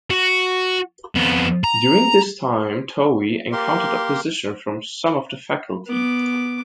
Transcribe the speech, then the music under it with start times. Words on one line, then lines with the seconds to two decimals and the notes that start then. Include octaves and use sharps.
During this same time Towey encountered opposition from some of the faculty.
0.10 F#4
1.15 F2 B3
1.64 A#5
3.52 A#3 G4 A#4 C6
5.87 B3 D6